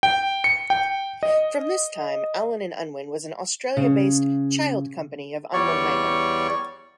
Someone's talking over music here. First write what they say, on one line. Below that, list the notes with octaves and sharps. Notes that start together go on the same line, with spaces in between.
From this time Allen and Unwin was an Australia-based, child company of Unwin Hyman.
G5
C#7
G5
D#5
C#3
E2 G3 C#5 D5 C#6